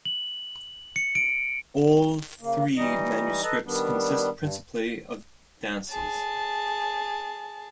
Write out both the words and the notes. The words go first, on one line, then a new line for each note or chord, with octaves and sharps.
All three manuscripts consist principally of dances.
F#7
C#7
D7
C#3 A#3
E3 G3 D#4 D#5
A4 B4 D#5 A5 A#5
D#3 G3 B3 D4
G2
G#4 A5